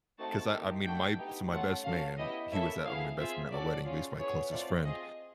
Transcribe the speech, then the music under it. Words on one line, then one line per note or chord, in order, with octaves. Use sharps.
'Cause I I mean, my so, my best man, he was at my best man at my wedding, but he's my closest friend.
A3 C4 D#4 F#4 A5
A#3 D#4 G4
A3 D4 F#4 A4 G5
B3 D#4 G4
A3 C#4 F4 A4 F#5
C#4 F#4 A4 F5
B3 E4 G4 D#5
A#3 C#4 E4 A4 E5
B3 E4 G#4 F5
C4 F4 G#4 E5
C#4 F#4 A4 D5
C#4 F4 G#4
B3 E4 G#4 C#5
A3 C4 F4 D5
C4 F4 G#4 D#5